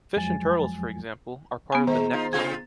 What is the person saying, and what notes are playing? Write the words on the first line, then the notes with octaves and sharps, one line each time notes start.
Fish and turtles for example, are part of the nekton.
F2 F3 F#3 G#3 G#5 A6
B3 G#5
D#3 G#3 C5 A#5
D#4 F4
C3 F4 G#4 G#6